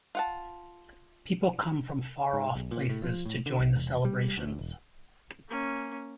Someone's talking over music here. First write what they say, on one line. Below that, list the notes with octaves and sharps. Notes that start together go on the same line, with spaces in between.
People come from far off places to join the celebrations.
F4 F#5 A5
G#2
B1
A#2
A2
F3
A2
D3
B1
E1
G3
D2
E1
A#3 C#4